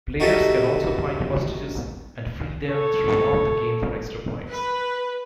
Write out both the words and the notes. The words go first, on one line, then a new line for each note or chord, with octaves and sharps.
Players can also find hostages and free them throughout the game for extra points.
D#4 F#4 G4 A4 D#5 E5
A4 C#5
B4